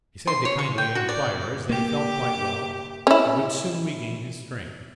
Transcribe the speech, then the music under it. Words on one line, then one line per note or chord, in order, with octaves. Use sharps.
He said to kindly enquirers that he felt quite well, and would soon regain his strength.
C6
C#5
C#6
G5
F#4
D5
A#3 G4
C#4 E4